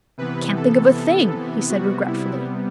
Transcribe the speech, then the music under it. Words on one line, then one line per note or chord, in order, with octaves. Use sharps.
"I can't think of a thing," he said regretfully.
C3 E3 B3 B4
A4
C3 G3 B3 F#4
E4